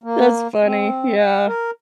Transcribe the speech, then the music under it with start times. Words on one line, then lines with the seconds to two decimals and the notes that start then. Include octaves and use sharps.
That's funny, yeah.
0.03 A#3
0.64 C4
1.18 F#5
1.47 A#4